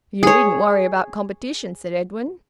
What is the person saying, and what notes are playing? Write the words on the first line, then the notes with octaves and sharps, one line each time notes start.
"You needn't worry about competition," said Edwin.
G#4 C#5